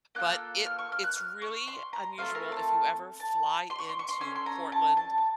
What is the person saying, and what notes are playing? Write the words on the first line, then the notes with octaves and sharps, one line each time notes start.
But it it's really unusual if you ever fly into Portland,
A#3 F4 A4 F#6
F6
C#6
F6
F#6
F6
C#6
C6
A#5
A3 C4 F4 A4 F5
A#4
A5
A5
C6
C#6
C6
C#6
C6
C#4 A4 C6
C6
A#5
A5
A5
A5